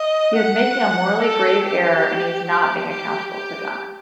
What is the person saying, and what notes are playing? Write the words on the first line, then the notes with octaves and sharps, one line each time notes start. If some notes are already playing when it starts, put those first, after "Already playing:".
He is making a morally grave error and he's not being accountable to God...
Already playing: D#5
F#5
A4
G4
G4
G4
G4